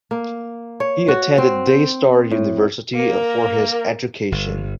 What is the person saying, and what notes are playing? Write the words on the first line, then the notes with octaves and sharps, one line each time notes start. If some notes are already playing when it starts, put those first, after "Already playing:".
He attended Daystar University for his education.
A#3
C#5
F#4
C4
G5
A2
A#3 A#4
G1